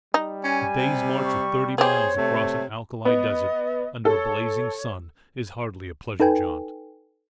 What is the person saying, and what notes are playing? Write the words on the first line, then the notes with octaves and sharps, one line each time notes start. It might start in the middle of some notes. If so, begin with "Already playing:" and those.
A day's march of thirty miles across an alkali desert, under a blazing sun, is hardly a pleasure jaunt.
G3 D#4
C#4 G#5
C3
C#6
B3 G4 G#4 C5 C#5
C3 A3
B3 D#5
A4 C#5
D#4 A4 B4 G5 G#5